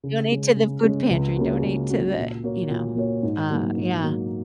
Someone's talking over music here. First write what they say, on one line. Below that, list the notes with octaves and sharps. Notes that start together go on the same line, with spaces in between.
"Donate to the food pantry. Donate to the" you know, uh, yeah.
C#3
G#3 C#4
C#3
G#3 C#4
C#2
C#3 A#3 C#4 F#4
C#2
C#3 A#3 C#4 F#4
A#2
A#3 F#4 C#5
A#2
A#3 F#4 C#5
G#2
F#3 A#3
G#2
F#3 A#3